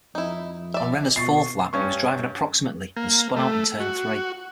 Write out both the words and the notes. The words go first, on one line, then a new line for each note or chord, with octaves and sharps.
On Renna's fourth lap he was driving approximately and spun out in turn three.
F2 D#4 E4
D5 E5
B2 C#6 A6 C7
G2 C#4 C#6
A#3
A3
F#4